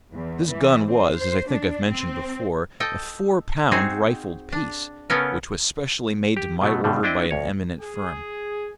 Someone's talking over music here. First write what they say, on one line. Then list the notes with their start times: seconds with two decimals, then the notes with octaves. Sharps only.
This gun was, as I think I have mentioned before, a four-pound rifled piece, which was specially made to my order by an eminent firm.
0.13 E2
0.50 E3
0.87 C4
1.15 C5
1.50 D4
1.89 C4
2.80 A4 D#5 G5
3.72 C4 D#4 F#4 G#4
4.52 D4
5.10 C#3 B3 C#4 A4 A#4
6.37 G4
6.61 B2 F#3 A3
6.84 G2 B2 D3 G3
7.03 C4 D4 E4 D#5 G5
7.31 D2 C#5
7.80 G#4